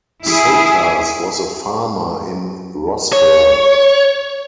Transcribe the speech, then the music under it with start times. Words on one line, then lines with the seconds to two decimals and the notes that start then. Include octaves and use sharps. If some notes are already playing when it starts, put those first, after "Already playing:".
Sotas was a farmer in Rossburn.
0.24 E4 G#4
3.13 C#5